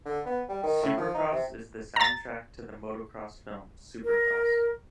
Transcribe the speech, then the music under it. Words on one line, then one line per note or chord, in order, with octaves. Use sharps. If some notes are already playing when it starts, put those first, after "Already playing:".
Supercross is the soundtrack to the motocross film "Supercross".
D3
B3
G3
D#3
A2
F3
D#4
C3
A#5 A6
A#4